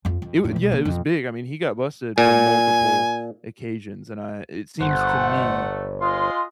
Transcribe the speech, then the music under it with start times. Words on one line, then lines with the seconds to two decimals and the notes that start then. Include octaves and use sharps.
it wa And yeah, it was big, I mean, he got busted for multiple occasions and I it seems to me
0.05 F2 F4
0.22 F2
0.44 E2 A2
0.56 B1
0.72 E3 A#3
0.85 F2
2.18 A#2 G#5
4.81 G1 A3 C5 F#5
6.01 G#3 F4 D#5 C6